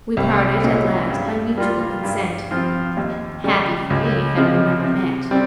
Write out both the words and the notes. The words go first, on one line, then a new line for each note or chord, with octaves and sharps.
We parted at last by mutual consent--happy for me had we never met!
C2
A#2 G#3 C#4
G2
G3 A#3 F4
G2
F3 C4 F4
D#2
C#3 G3
C#2
C3 F3 G#3
C3
G3 C4